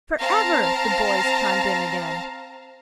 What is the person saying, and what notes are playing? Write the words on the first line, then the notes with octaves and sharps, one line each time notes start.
"For ever!" the boys chimed in again.
C4 F5 A5 A#5 A#6